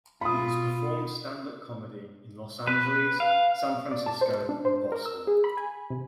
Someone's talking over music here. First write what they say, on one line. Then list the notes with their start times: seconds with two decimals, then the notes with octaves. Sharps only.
He has performed stand-up comedy in Los Angeles, San Francisco, and Boston.
0.21 B2 F4 B5 D#6
2.67 B4
3.20 F5
3.91 D5
4.06 A5
4.21 C5
4.49 D4
4.65 C5
4.92 A#4
5.06 E6
5.27 G#4
5.44 B5
5.57 G#5
5.90 C3